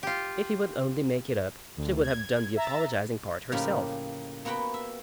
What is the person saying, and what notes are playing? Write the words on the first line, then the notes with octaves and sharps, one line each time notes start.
If he would only make it up, she would have done the apologising part herself.
F4 G4
D2
G#6
E5 A#5 A6
A2 C#3 F3 A#3 D#4 G4
A#3 B3 F#4 B4 G5
E5